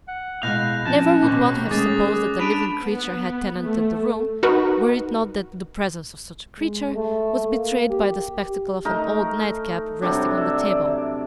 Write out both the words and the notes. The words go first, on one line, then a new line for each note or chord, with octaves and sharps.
Never would one have supposed that a living creature had tenanted the room, were it not that the presence of such a creature was betrayed by the spectacle of an old nightcap resting on the table.
F#5
B2 G#3 E4 F5 F#6 G6 A#6
F3 C#4 A5
D#2 B2 D#3 C4 D6
G#3 A3 C#4 G#4 D6 D#6 A6
D4 B5 D7 D#7 F7
B3
A3
D#4 F#4 A#4 B4
G#3
A3
A#3
G4
G4
A3 D#4 A#4
C3 F#3 G3 D4
E5
D5